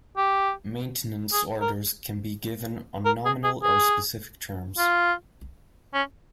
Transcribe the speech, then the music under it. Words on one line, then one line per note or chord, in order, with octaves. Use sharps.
Maintenance orders can be given on nominal or specific terms.
G4
G#4
A#4
A#4
G#4
G#4
G#4
F4
C#4